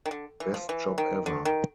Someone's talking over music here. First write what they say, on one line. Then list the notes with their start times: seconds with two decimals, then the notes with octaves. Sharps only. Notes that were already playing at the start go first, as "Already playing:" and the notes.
Best job ever!
0.06 D#3
0.11 D3
0.40 E3
0.54 F3
0.69 E3
0.98 D#3
1.26 D3
1.45 D#3